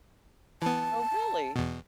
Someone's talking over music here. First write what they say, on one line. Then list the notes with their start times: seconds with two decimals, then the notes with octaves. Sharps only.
Oh, really?
0.62 E3 B3 A5
1.56 E2 B2